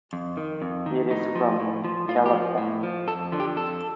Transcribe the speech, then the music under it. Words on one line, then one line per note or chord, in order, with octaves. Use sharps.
It is from Calapan.
F2
D#3
F2
D#3
A2 D#4
F3
A2
F3
A2 F4
G4
F3
A2
F3
F2 A4
D3 F3
G4
F2 A4